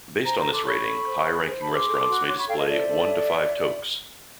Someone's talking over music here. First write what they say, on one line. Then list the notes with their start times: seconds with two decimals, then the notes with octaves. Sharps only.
Based on this rating, high-ranking restaurants may display one to five toques.
0.25 C5 G#5 A#5
0.38 A#5 C6
0.45 A4
0.52 C6 D6
0.65 C#5 B5 C#6
0.86 A4
1.06 C5
1.27 G#4
1.47 C5
1.60 A5 B5
1.67 G#4
1.74 C6 D6
1.87 A4
2.08 F#4
2.28 C#5 C6 D6
2.38 B5 C#6
2.47 A4 F5 G5
2.58 D#5 F5
2.68 C5 D5 E5
2.89 A4
3.08 C#5